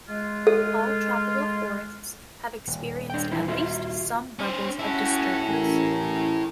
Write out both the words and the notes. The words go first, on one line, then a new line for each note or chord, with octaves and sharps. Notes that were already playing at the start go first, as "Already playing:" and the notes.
All tropical forests have experienced at least some levels of disturbance.
G#3 F4
A4
D#1
D4 G5
E3 F3 E4
F4 F#4 E5
C#4 C5
C#4 E4 F#4 A4
A1 C#4 A#4